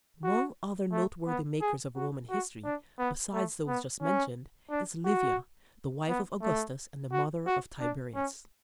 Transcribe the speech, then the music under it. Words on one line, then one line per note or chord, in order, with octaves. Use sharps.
Among other noteworthy makers of Roman history, besides those just mentioned, is Livia, the wife of Augustus and the mother of Tiberius.
F#4
A3
B3
G#4
F#4
F#4
D4
B3
A3
B3
C#4
D4
F#4
B3
A3
F#4
F#4
D4
C#4